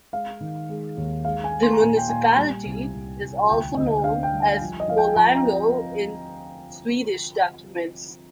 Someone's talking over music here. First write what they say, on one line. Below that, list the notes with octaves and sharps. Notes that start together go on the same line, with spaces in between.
The municipality is also known as "Puolango" in Swedish documents.
G#3 F5
D#3
G#3
D#2
G#3 F5
G#5
G#3
C6
A#5
A#2 G#5
G5
A#2 G#5
G3
C2
C2
C2
D2 G5
D2 D#5
D4 F5
G5
G3
G#5
F3
D#5
F3 F5
G5
G#5
F3 A#5
A#5
C4
G5